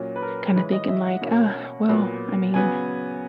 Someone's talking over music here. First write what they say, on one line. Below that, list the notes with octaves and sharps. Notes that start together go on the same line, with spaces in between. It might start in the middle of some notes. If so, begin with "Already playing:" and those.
kinda thinking like, "Uh, well," I mean,
Already playing: A#2 F#3 C#4
B4
A#4
C#3 E3 G#3 C#4 B4
D#5
E5
F#5
B2 A#3 C#4
A#2 F#3 B3
C#3 F#3 B3 G#5